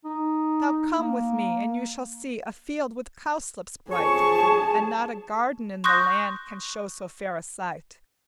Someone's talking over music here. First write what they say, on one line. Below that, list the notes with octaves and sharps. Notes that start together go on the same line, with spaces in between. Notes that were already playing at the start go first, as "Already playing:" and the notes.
"Now come with me and you shall see A field with cowslips bright And not a garden in the land Can show so fair a sight."
D#4
A#3
F2 G#4 C#5 A5 C#6
C6 C#6 D#6 F#6 G6 A#6